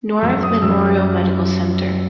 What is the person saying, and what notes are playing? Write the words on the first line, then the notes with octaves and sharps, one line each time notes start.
North Memorial Medical Center.
F#2 E6
D#6
F#2 E6